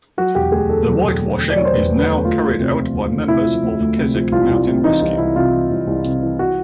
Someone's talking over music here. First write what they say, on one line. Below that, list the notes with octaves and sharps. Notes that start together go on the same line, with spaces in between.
The whitewashing is now carried out by members of Keswick Mountain Rescue.
F#3 F#4
E1 G4
D2 G#4
D3 A4
F#3
E1
D2
D3
D5
F#3 C#5
C5
E1 B4
D2
B4
D3
D2 F4
D2
C3
F3
D2
D2
C3 E4
F3
D2
D2
C3
F3
C2 F4
C2
C3
E3 D#4
C2 D#4
C2 E4
C3 F4
E3
C2
C2
C3
E3
F#4